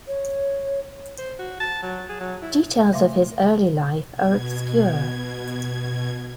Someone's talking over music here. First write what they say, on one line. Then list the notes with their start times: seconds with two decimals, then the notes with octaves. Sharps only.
Details of his early life are obscure.
0.08 C#5
1.19 C5
1.39 F#4
1.60 A5
1.83 F#3
2.09 G#4
2.20 F#3
2.42 E4
2.93 C#3 A3 E5 F5 C6 D6
4.12 B2 G#6